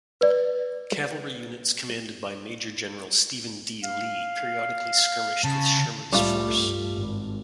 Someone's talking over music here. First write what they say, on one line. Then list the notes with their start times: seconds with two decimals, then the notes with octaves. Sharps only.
Cavalry units commanded by Major General Stephen D. Lee periodically skirmished with Sherman's force.
0.21 B4 D5
3.83 F5
5.44 C#3 A5
6.12 C2 A2 G3 A3 F4
6.54 G2
6.94 G#1